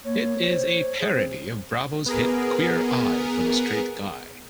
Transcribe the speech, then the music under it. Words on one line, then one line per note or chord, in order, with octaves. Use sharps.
It is a parody of Bravo's hit "Queer Eye for the Straight Guy".
A#3 C#5
C5
G#4
C4 C5
B3 G#4 A#4